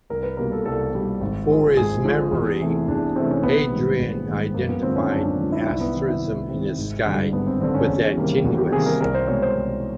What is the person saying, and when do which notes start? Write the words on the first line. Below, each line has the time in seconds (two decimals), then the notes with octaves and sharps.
For his memory Hadrian identified an asterism in the sky with Antinous.
0.10 C2 A#4
0.23 B4
0.37 B2 G3 A#3 A#4
0.52 A4
0.66 C2 A4
0.93 B2 G3 A#3
1.21 G#1
1.49 G#2 F3 G#3
1.77 G#1 G#4
2.05 G#2 F3 G#3
2.32 E2
2.61 C3 E3 A3
2.88 E2 D4
3.15 C3 E3 A3 C4
3.30 C#4
3.43 A#1 B3
3.71 G#2 D#3 G3
3.99 A#1
4.27 G#2 D#3 G3
4.54 F#2 A#3
4.69 B3
4.82 D3 F3 G#3 C4
4.96 C#4
5.11 F#2 D4
5.25 D4
5.38 D3 F3 G#3
5.52 E4
5.66 C2 E4
5.81 B3
5.93 C3 D#3
6.08 E4
6.21 C2
6.50 C3 D#3
6.78 G#1
7.06 G2 D3 G3
7.33 G#1 B3
7.47 C4
7.61 G2 D3 G3 C4
7.74 C#4
7.88 E2
8.16 C3 D#3 G3 A#3
8.44 E2 F#4
8.58 G4
8.72 C3 D#3 G3 A#3 G#4
8.86 A#4
9.00 C2 A#4
9.15 C5
9.27 B2 G#3 C#5
9.42 C5
9.55 C2